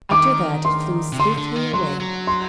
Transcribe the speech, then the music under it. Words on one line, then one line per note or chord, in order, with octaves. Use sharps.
After that it flew swiftly away.
D#3 D6
C6
C3
D3 C6
D3
D#3
F#3 C6
F#3
C6